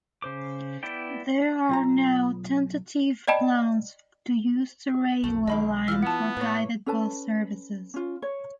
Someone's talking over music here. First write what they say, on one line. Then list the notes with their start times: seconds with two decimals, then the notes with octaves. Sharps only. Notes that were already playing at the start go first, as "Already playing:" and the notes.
There are now tentative plans to use the railway line for guided bus services.
0.22 C#3 C5 D6
0.83 B3 E4 D5 G5
1.69 B1 F4 A#5
3.27 D5 D#5 G5 A5 B5
5.24 B1 F2 A3
5.48 B1 D3 D#3 F#3 G#3 A#3 D#5 B5
5.88 E3 E4 F4 E6 F6
6.03 B3 F#5 A5
6.37 A2 A#3 B4 C#5
6.86 C#4 A4 B4 A5
7.94 C#4 F4
8.22 C#5